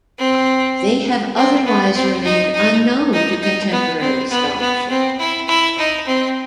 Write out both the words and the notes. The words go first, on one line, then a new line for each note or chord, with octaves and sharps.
They have otherwise remained unknown to contemporary scholarship.
C4
C4
B3
C4
D#4
D#4
D#4
D#4
B3
C4
B3
B3
C4
E4
E4
D#4
C4